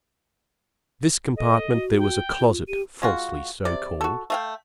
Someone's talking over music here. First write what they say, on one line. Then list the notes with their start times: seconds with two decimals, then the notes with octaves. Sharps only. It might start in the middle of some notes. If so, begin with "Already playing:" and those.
To this compartment there was a closet falsely so called.
1.36 A4 D#5
1.72 F#4
1.98 G5
2.40 F4
2.68 G4 D#7
3.02 G#3 F4 F#4
3.65 C3 D5
4.01 F#4 A4
4.30 A3 F5 G5